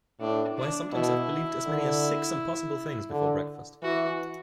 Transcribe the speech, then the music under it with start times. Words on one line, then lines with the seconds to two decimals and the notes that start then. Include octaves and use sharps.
Why, sometimes I’ve believed as many as six impossible things before breakfast.
0.20 A2 D4
0.57 D4
0.92 B2 E4
1.65 D3
3.10 D3
3.82 E3 F#4